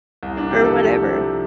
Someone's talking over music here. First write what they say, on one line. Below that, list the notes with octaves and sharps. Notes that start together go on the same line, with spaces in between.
or whatever."
C2
D4
C3 F3 G4
A4
C2
C3 F3